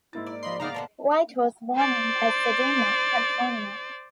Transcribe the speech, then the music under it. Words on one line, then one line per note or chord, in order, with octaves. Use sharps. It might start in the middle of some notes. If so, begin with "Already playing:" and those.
White was born in Pasadena, California.
G#2 A#3 E4 A6
D5
F3 D#5 B5 C6
C#3 G#3 B3 D#4 D5 F5 A#5
D3 F#3 B3 A5
C5 D5